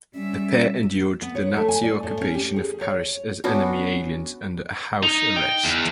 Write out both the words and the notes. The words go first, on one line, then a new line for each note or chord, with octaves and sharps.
The pair endured the Nazi occupation of Paris as enemy aliens under house arrest.
G3 C#4 E5
B3
C#5
A3
G#5
D5
A2
C#4
G4
G#4
C#5
B3 C#4 D4 F#4
D#4
G5
E2